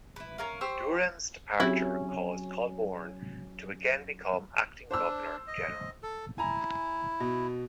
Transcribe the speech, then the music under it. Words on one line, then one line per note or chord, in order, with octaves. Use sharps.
Durham's departure caused Colborne to again become acting Governor General.
E4 B4
C#4 A#4 F5
G4 C5 C#6 E6
F#3 C4 C#4 E4 G4 G#4
D4 C5 E6
D#5
A4
E4 G#5 A#5
B2